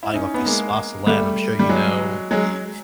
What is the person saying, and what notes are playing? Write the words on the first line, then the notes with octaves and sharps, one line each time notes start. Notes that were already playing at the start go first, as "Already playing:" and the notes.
buying off these swaths of land, I'm sure you know the
E4
C#4 D#4
B3
G#3 A#3
G3 A3
G3
F#3 G#3
F#3 G#3